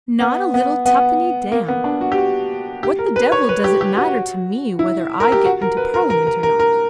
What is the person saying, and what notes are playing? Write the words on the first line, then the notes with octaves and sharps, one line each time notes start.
Not a little tuppenny damn. What the devil does it matter to me whether I get into Parliament or not?
B3
B3
B3
A#3
B3
D4
F#4
G4
F#4
G4
A#4
B4
C#5
B4
G4
G4
F#4
E4
A#4
G4
F#4
A#4
B4
A#4
A#4
A#4
A#4
A#4